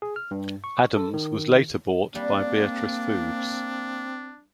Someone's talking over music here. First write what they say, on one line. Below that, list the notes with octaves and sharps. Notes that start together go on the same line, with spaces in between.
Adams was later bought by Beatrice Foods.
G#4
F6
G2
C#6
A4
D#3
G3 A#3 C4 D4